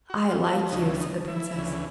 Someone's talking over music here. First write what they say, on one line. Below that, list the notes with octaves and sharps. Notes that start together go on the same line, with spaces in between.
'I like you!' said the Princess.
F#4
F4
E4
D2 C#3 E3 D#4
D#4
E4
D2 C#3 E3